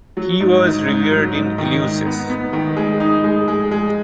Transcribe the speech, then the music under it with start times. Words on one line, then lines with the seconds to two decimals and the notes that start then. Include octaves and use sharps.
He was revered in Eleusis.
0.17 F#3
0.40 G#2
0.64 G#2
0.88 G#2
1.11 F#3
1.35 G#2
1.58 D#3
1.82 G#2
2.06 B3
2.29 B3
2.53 D#3
2.77 G#3
3.00 D#4
3.24 G#3
3.48 G#3
3.71 G#3